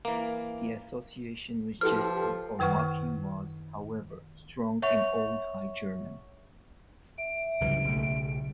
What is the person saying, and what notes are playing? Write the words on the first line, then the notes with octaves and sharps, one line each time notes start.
The association with jesting or mocking was, however, strong in Old High German.
E3 A#3
F3 G4 A4 B4 F6
F#2 D#3 B4 F#5 C#6 F6
C#5 E5 F#5 C#6 F7
E5 D7
C2 G#2 C#3 E3 F#3 G3
B1 A3